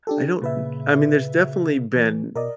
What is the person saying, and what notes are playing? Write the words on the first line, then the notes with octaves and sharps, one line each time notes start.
I don't I mean, there's definitely been
D4 G4 A4
A#2 C#3 B4 E5
E3
B2 A#4 D5 D#5